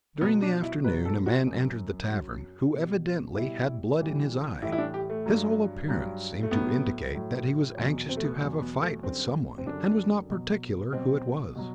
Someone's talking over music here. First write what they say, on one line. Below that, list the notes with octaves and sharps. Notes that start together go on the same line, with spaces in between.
During the afternoon a man entered the tavern, who evidently had "blood in his eye." His whole appearance seemed to indicate that he was anxious to have a fight with some one, and was not particular who it was.
B2 F#3 B3
D4
E4
B2 F#3 B4
A4
F#4
F#2 F#3
F#2 F#3
B2 G3
B2 G3 E4
A2 E3 G3
A2 E3 G3 E4
E4
D4
G4
A3
G2 F#3
G2 F#3
A3
A2 F#3 B3
A2 F#3
E2 B2 F#3
C4
A3
B3
E2 B2 F#3
B3
A3
F#2 D3 G3 C4
C4
F#2 D3 G3 D4
B2 F#3
B2 F#3 C4
B2 F#3